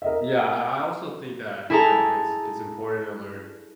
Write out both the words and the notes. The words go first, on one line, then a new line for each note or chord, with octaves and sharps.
Yeah, I I also think that, you know, it's it's important to learn,
A#4 D#5 E5
E4 G#4 A4 A5 A#5